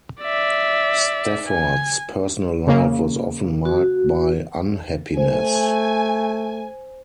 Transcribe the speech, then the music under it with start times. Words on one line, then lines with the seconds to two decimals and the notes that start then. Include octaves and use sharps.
Stafford's personal life was often marked by unhappiness.
0.21 D5 E5
1.48 G#5
2.67 C#3 A#3
3.65 F#4
5.17 A3 C5 G#5